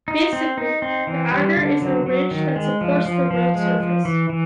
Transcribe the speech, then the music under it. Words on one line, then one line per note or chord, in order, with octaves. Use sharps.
Basically the agger is a ridge that supports the road surface.
D#4
C4
D#4
C4
E3
G3
D3
F#3
F#3
D#3
G#3
F3
F3
F3
G#3
F3
E3
E3